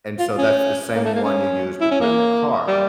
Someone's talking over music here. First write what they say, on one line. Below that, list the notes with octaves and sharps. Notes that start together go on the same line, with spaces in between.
And so, that's the same one you use to put in the car.
F4
C#4
A#3
A3
A#3
C#4
E4
C#4
A#3
G3